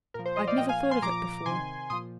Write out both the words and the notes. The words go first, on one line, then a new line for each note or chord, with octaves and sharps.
I'd never thought of it before.
A#2 F3 A#4
C5
C5 D#5
D5 F5
A#2 F3 D#5 G5
F5 G#5
G#5 C6
A#2 F3 A#5 D6
C3 D#3 G#5 C6
A#2 F3 C6 D#6